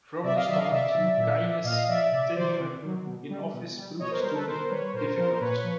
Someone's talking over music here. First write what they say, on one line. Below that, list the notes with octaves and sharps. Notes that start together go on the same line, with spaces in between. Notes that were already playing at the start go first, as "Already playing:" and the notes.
From the start, Gaines's tenure in office proved to be difficult.
C3 D5 E5
D#5 F5
D#3 F#3 D5 E5
D#5 F5
C3 D5 E5
D#3 F#3
A#2
F3
A#2 D#5 F5
F3 D5 E5
C3 D5 E5
D#3 F#3 C5 D5
C3
D#3 F#3
B2
G3
B2
G3
B2 C#5 D#5
A#4 C5
B4
G3 A#4 C5
A4 B4
B2 A#4 C5
G3 B4 C#5
A#2 A#4 C5
F3 A#4 C5
C5
A#2 B4 C#5
F3